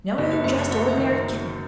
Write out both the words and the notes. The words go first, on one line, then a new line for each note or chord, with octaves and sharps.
"No; just ordinary kitten."
F#1 F#4 A4
G4 B4
F#2 C5 E5
D#5 F#5
A3 D#5 F#5
C5 E5
D#3